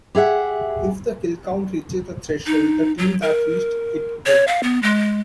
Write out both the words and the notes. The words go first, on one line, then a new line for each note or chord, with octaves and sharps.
If the killcount reaches a threshold, the team that reached it wins.
G4 G#4 E5 F#5
D#4
F#3
A#4
C#5
F5
B3
G#3